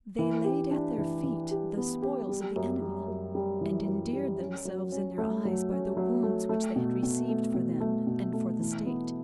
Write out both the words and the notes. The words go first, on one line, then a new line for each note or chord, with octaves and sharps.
They laid at their feet the spoils of the enemy, and endeared themselves in their eyes by the wounds which they had received for them and for the state.
E3
G4
D4
E3
E3
G4
B3
G4
G3
F#2
G3
F#2
G3
E3
F#2
G3
C#4
F#3
C#4
A3
F#3
C#4
F#3
A3
A3
B2
B2
A3
B2
A3
B2
A3
E3
B3